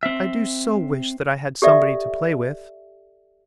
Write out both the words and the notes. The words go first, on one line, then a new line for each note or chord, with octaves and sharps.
I do so wish that I had somebody to play with.
C4 E5
G4 A4 D5 E5